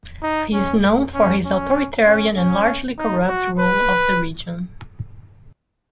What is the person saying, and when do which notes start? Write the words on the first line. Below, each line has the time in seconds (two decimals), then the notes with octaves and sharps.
He is known for his authoritarian and largely corrupt rule of the region.
0.23 D#4
0.53 C#4
1.14 C#4
1.45 C#4
2.06 C#4
2.37 C#4
2.98 D#4
3.28 F#4
3.59 B4